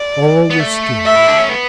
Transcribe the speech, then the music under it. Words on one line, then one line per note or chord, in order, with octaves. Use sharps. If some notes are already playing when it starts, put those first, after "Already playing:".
All were still.
Already playing: D5
B3
A3
E5
E4
D4
C#4
B3